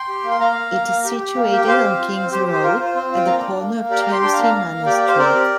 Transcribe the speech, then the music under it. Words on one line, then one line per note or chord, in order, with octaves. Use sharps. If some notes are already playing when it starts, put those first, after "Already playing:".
It is situated on King's Road, at the corner of Chelsea Manor Street.
Already playing: G5 C6
G4
A#3
C6
A#3 F5 A#5
A#3
A#3
A#3
G4
G4
A#3
G4
G5
G4 C5 F5
C4
F4
C4
G4 C5
G4
C5
F4 A#4
C5
F4
C5
C4 C5
F4
G5
A#3 F5 A#5
D5 G5
D4
A#3
A#3
G4 A#4 D5
F5 A#5
G4
G5 C6
D4 G5 C6
F5 A#5
A#3
F5 A#5
A#3
A#3
G4 D5 G5
D5 G5
G4
C5 F5
C4 A#4 D5
G4